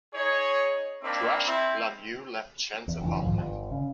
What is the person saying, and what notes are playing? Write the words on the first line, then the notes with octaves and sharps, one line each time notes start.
Crushed, Lan Yu left Chen's apartment.
D#4 G#4 C#5
A#3 C4 D4 D#4 B5
C4 E4
E2
F1 D3 E3
C2 G#2 D#3 F3
G1
C#3